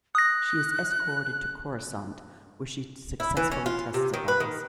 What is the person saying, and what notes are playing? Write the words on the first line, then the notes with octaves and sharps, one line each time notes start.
She is escorted to Coruscant, where she successfully testifies.
D#6 F#6 A#6
E4
E3
C#4
F4
C3
D#3
B4
D#3